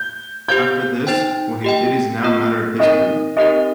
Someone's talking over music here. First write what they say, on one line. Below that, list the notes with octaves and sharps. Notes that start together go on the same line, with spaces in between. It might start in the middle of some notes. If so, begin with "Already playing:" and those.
After this, what he did is now a matter of history.
Already playing: G6
G4 C5 F5 G6
D#4 C5 G5
G4 D#5 G5
A#3 F4 D#5
C4 D#4 A#4 D#5
C4 D#4 G4 A#4 D#5